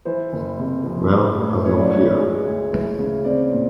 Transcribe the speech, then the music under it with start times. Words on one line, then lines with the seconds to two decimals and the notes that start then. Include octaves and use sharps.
Well, have no fear.
0.05 E3 C5
0.33 F#1
0.59 C3
0.86 F2
1.12 A1 B4
1.39 A1
1.65 E3 C#5
1.78 D5
1.90 G#2 C#5
2.18 G#3
2.45 D2
2.72 E3
2.99 C#3
3.25 C4 D5
3.43 D5
3.52 A#2